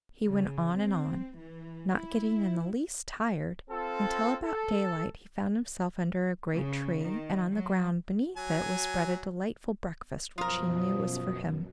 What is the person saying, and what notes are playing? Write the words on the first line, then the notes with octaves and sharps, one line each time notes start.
He went on and on, not getting in the least tired, until about daylight he found himself under a great tree, and on the ground beneath it was spread a delightful breakfast, which he knew was for him.
C#3
C4
E3
E4
C4 F4 A4
A4
C#3
D#3
F#3
F#3 G#5
F#2 B2 F3 F4 A#4 D#6